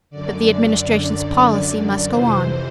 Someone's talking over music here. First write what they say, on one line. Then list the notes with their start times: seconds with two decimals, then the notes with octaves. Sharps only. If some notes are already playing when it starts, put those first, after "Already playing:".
But the Administration's policy must go on.
0.10 F#2 D3 D5
1.07 D5
1.57 D5
2.06 F2 C3 E3 C5